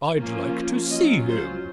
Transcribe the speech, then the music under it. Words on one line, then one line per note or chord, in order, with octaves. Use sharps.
"I'd like to see him."
F3 A#3 C#4 F4
F#3 C#4 F4 D#5
C5